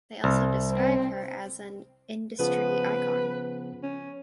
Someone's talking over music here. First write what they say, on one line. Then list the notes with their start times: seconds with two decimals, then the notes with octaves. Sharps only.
They also describe her as an "Industry Icon".
0.24 C2
0.72 C4
2.39 C#3 F3 B3 B4
3.83 C#4